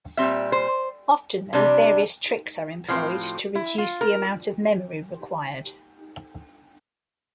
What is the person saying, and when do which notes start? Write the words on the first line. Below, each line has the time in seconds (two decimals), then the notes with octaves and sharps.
Often though, various tricks are employed to reduce the amount of memory required.
0.17 A#2 G3 C4 E5
0.52 C5
1.53 C3 G3 D4
2.88 A2 F3 C4
3.55 E4
3.78 F4
4.01 A#4